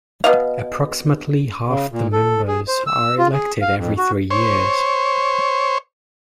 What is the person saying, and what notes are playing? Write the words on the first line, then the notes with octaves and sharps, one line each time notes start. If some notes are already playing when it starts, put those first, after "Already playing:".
Approximately half the members are elected every three years.
B2 D#5 F5
C#3
A#2
A4
G#4
C5
E6
F4
G#4
F5
F2
F#4
C5 C#5